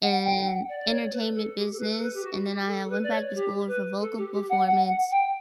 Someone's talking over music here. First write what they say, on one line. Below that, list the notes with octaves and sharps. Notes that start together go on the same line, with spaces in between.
and entertainment business, and then I, uh, went back to school for vocal performance.
F#5
G5
F#5
D5
D5
C#5
B4
A4
G4
A4
B4
A4
B4
G4
F#4
G4
A4
A4
B4
D5
C#5
G4
B4
A4
G4
G4
F#5
F#5
F#5
G5